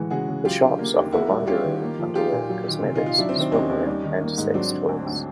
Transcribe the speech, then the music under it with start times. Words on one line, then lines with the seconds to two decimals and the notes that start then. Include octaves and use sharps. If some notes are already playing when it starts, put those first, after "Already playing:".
The shops offer lingerie, underwear, cosmetics, swimwear and sex toys.
Already playing: A2 E3 G#3 F#4
0.10 C#3 F#4 G#4
0.28 C#3
0.45 F#3 F4 G4
0.62 D3
0.79 A#3
0.95 D#2
1.12 A#3 E4 F#4
1.30 G3
1.47 C#4 F4 G4
1.64 D#3
1.82 A#3
1.99 F3
2.15 D#4 F4 G4
2.33 A#2
2.49 F#3
2.67 D#3
2.84 C3
2.95 D#4 F4
3.00 C3
3.06 D#4 F4
3.18 F#3 D4 E4
3.29 C4
3.35 D#3
3.40 C4 D4
3.52 D#2 C#4 D#4
3.70 D#2
3.87 G3
4.04 D#3
4.21 A#3
4.37 G#2
4.54 F#3 C4 D4
4.71 D3
4.89 D2
5.06 D2